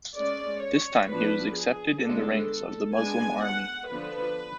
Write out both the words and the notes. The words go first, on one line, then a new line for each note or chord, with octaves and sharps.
This time he was accepted in the ranks of the Muslim army.
G#3 C#4 D5
C#5
F3 B3 D4 B4
G#4
D3 G#3 B3 D4 A4
G#3 B3 D4 G#5
F#5
D3 F3 B3 D4 B4